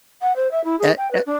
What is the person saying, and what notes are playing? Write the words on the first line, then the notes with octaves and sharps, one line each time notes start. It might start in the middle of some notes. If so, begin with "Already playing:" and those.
A a
F#5
C5
E5
E4
G#4
G5
B4
D4